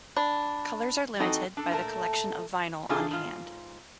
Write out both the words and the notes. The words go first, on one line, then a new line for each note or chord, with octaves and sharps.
Colors are limited by the collection of vinyl on hand.
D4 B5
E3 C4 D#4 F#4 A4 D#5
D4 A4
A#2 A3 A#4 A5
C3 D4 D#4 F4 G#4 A4
G#2 F4